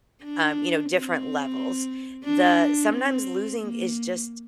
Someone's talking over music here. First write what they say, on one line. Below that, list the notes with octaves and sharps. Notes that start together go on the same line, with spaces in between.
uh, you know, different levels. The sometimes losing is just
D4
C4
D4
C4
A#3